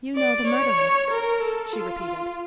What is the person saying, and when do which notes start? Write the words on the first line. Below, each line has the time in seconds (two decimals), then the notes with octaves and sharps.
"You know the murderer," she repeated.
0.16 D5
0.47 C#5
1.11 A#4
1.42 A4
1.73 F4